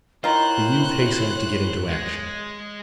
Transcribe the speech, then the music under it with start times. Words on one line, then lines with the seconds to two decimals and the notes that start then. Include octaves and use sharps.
The youth hastened to get into action.
0.24 D#3 E4 F4 C5 C#5 F#6
1.89 G#3